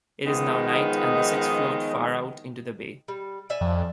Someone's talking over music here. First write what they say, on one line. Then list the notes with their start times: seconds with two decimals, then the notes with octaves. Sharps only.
It is now night and the six float far out into the bay.
0.25 D#3 F3 G#3 B3 D#4
3.08 G3
3.50 D5 E5 G#5
3.61 F2